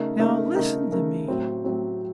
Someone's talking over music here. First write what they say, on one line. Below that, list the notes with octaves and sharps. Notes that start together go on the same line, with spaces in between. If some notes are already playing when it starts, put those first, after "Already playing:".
Now listen to me.
Already playing: C#3 A3 D#4 A#4
C#3 A3 D#4 A#4
C#3 A3 D#4 A#4
C#3 A3 D#4 A#4
A2 F#3 C4
A2 F#3 C4